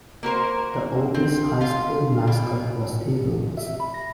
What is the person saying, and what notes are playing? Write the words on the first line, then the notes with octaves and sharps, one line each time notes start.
The Otis High School mascot was Eagles.
A#3 F#4 A#4 C5
C4
F4 F5
B2
E5
B5
A#6